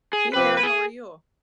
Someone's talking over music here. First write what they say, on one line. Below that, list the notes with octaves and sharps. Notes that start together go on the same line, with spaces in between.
Hey there, how are you?
G#4
C3 F3 C4 G4 B4
B4
G#4